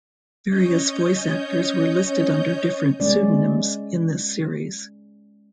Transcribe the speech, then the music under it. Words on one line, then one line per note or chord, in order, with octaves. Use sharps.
Various voice actors were listed under different pseudonyms in this series.
C#4 C#5 D#5 G6
G#3 C#4 D5